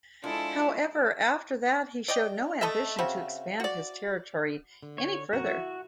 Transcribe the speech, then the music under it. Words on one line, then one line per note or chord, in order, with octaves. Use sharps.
However, after that he showed no ambition to expand his territory any further.
F3 G#3 D4 E4 F4 A4
D5 D#5 G5
A3 A4 D#5 E5
C#3 C4 F#4 E5
F#4 D5
D3
C#5
F2 A#2 F#4 A#4
E4 E5